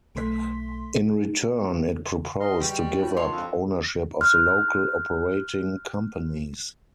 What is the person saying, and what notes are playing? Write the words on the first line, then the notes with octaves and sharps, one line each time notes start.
In return, it proposed to give up ownership of the local operating companies.
B1 A3 C6 B6
B4 D#5 C6
G3 G#3 F#4
D#4 F4 F#4 C#5
G#2 D4 F4 A#4 C#5 C6 C#6
F2
C6 F6 F#6